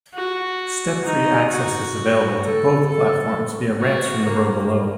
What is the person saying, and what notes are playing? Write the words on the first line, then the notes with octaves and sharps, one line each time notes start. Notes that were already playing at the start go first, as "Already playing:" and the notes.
Step-free access is available to both platforms via ramps from the road below.
F#4
D#4
F#4
A4
A4
F#4
A#3